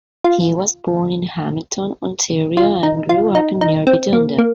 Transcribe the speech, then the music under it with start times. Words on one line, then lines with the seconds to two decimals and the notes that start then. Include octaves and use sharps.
He was born in Hamilton, Ontario and grew up in nearby Dundas.
0.24 F4
2.57 F4
2.83 D#4
3.09 F4
3.35 D#4
3.61 D#4
3.87 C4
4.13 A#3
4.38 A#3